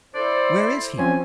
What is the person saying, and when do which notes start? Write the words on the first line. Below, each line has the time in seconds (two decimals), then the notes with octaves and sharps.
Where is he?
0.15 E4 A4 C5 D5
0.99 F3 C4 C#4 G#5